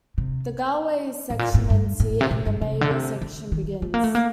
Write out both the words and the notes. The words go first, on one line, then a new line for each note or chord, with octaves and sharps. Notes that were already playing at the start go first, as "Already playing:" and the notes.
The Galway section ends here and the Mayo section begins.
C3
A2
A#2
A2
G2
A2
C3
A#2
G2
C3
D3
C3
D3
D#3
A3
A#3
A3
A#3